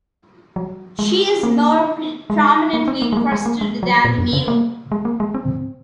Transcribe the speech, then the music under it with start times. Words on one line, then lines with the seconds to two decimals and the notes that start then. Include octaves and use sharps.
She is more prominently crested than the male.
0.56 F#3
0.99 G#3
1.43 A#3
2.30 G#3
2.73 A#3
2.88 C4
3.02 A#3
3.13 G#3
3.17 A#3
3.32 G#3
3.46 A#3
3.61 G#3
3.83 F#3
4.05 A#2
4.18 F#2
4.33 C#3
4.48 A#3
4.92 G#3
5.05 A#3
5.20 G#3
5.34 C4